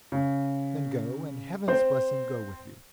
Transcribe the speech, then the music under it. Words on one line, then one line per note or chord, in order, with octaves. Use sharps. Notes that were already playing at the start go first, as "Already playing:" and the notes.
Then go, and Heaven's blessing go with you.'
C#3
C4 C5